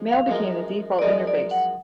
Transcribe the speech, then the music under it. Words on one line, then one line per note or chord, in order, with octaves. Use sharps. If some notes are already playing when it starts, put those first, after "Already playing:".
Mail became the default interface.
Already playing: F3 G#3
F5
F#2 F3 G#3 D#4 A#4
D5
F#2 F3 G#3 D#4 A#4 D#5
D5
F#5